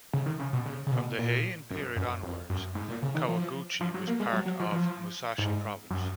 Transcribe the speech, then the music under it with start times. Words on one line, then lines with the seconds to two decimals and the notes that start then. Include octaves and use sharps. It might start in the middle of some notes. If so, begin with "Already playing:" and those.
From the Heian period onwards, Kawaguchi was part of Musashi Province.
0.13 C#3
0.26 D#3
0.39 C#3
0.53 B2
0.66 C#3
0.86 C#3
0.92 B2
1.19 A#2
1.71 F#2
1.96 F#2
2.23 F2
2.50 F#2
2.75 G#2
2.88 A#2
3.02 C#3
3.15 D#3
3.28 F3
3.81 F3
3.94 F#3
4.07 A#3
4.20 G#3
4.33 F#3
4.46 F#3
4.60 F3
4.72 F3
5.38 G#2
5.90 F#2